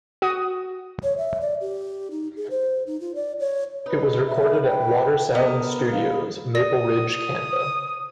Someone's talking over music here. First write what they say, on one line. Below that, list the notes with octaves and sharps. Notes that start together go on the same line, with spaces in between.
It was recorded at Watersound Studios, Maple Ridge, Canada.
F#4 D#6
C#5
E5
D5
G4
D#4
G#4
C5
D#4
F4
D5
C#5
D#4 B4
E5
G5
D3 B3 A#4 D#5
F5
D5 D#6 A#6